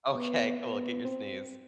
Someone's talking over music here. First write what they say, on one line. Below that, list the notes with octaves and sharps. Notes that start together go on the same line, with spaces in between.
Okay, cool. Get your sneeze.
B3
B3
C4